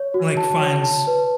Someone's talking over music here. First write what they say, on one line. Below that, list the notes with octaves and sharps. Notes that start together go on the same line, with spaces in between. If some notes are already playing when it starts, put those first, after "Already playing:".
like finds
Already playing: C#5
F#4
A5
C#5
A5
B4